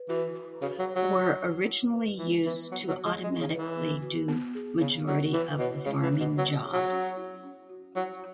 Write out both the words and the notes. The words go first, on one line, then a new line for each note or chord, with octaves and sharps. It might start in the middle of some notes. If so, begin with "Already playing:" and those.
Were originally used to automatically do majority of the farming jobs.
Already playing: B4
E3 F#4
B4
C#3 F#4
F#3
C#5
F#3
F#4
C#5
E4
B4
E3 G#3
E3 B3
F#3 B3
F#3
F#4
G#3
G#3 G#4
C#3
B4
E3
B3
F#4
B3
G#4
C#3 B3
F#3 E4
E3 E4
B2 C#5
C#3 G#3
E3
C#4
B2
F#3 B3
G#4
F#3
C#4
E4
C#4
F#4
F#3 E4